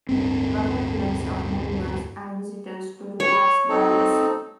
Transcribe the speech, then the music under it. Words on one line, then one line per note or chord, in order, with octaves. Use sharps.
A perfect place for members and visitors to relax by the sea.
D1 G2 C4
C#5
C4 D#4 A4